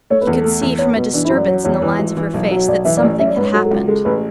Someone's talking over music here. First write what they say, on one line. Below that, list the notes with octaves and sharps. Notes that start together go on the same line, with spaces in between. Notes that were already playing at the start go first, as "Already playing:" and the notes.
He could see from a disturbance in the lines of her face that something had happened.
A3 C#5
B4
E2
A4
A3
E2
B3 C#5
B2 B4
E3 D4
E4
F#2
D5
F#3 C#5
E2 C#5
E3
G#1
E3
B1
F#3 C#5
B1 D5
E3 E5
D5
A1
D5
C#4 E5
D5
G#2 B4
C#5
F#3 A4
A4
C#2
G#3 A4
A1 B4